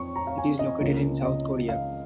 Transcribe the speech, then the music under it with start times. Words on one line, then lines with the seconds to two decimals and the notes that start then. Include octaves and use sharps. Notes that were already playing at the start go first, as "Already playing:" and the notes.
It is located in South Korea.
Already playing: F2 C#6
0.16 A#5
0.27 F5
0.38 G#5
0.59 D#5
0.80 C#2 C#3 A#3
1.25 D#5
1.69 F5